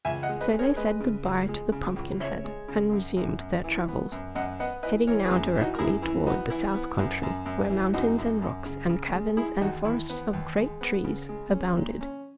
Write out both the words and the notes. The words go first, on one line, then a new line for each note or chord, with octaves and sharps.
So they said good-bye to the Pumpkinhead and resumed their travels, heading now directly toward the South Country, where mountains and rocks and caverns and forests of great trees abounded.
C#2 E5 G#5
D#5 F#5
G#3
B4 D#5
G#3
A#4 C#5
G#3 B4 D#5
C#3
C#2
G#3
C#3
C#2
C#3 C#5 E5
G#3
C#3
F#2
F#2
F#2
E3
B3
F#2
F#2 D#5 F#5
B3 D#5 F#5
E3 B4 D#5
E3 A#4 C#5
G#4 B4
F#2
E3
D#4 F#4
A#4
F#2 E4 G#4
E3 E4
B3 D#4 F#4
E3 E4
B3
F#2
F#2
F#2
E3
F#2 D#4 F#4
F#2
F#2
C#3
C#3
G#3
G#3 E4 G#4
D#2 D#4 F#4
D#2 E4
B3
D#2
G#3
B3
C#3
G#3
C#4
A#2
C#4